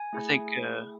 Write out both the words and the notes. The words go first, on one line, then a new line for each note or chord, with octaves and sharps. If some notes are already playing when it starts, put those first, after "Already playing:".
I think, uh
Already playing: G#5
A3 E4 G#4